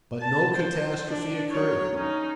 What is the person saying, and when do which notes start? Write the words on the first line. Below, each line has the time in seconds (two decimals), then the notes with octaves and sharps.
But no catastrophe occurred.
0.21 A5
0.55 C5
1.09 D4
1.52 F#3 C#5
1.95 C#4 D#4